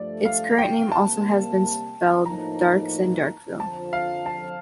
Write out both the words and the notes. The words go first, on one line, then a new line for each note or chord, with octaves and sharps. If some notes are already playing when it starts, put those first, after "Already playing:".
Its current name has also been spelled "Darkes" and "Darkville".
Already playing: G2 F3 A3 D5
F5
G5
C3 G3 A#3 A5
A2 F3 A#3 D#4 A#5
F2 D3 F3 A5
F5
A5